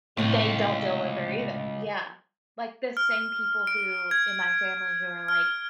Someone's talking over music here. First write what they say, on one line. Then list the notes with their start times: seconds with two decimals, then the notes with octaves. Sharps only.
e they don't deal with her either, yeah, like, the same people who in my family who are like,
0.17 C#2 A2 C3
2.97 F6
3.67 D7
4.11 G#6
5.28 F6